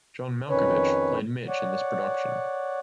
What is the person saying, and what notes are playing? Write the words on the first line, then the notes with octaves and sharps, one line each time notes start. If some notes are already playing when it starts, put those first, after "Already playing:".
John Malkovich played Mitch in this production.
F2 D#3 C#4 B4 C#5
C#5 D5 F#5